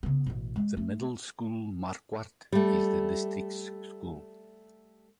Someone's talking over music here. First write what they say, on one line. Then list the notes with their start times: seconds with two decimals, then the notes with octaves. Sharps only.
The middle school, Marquardt, is the district's school.
0.03 C#3 B3
0.26 A1 B2
0.56 G#3
0.77 A3
2.52 G3 A3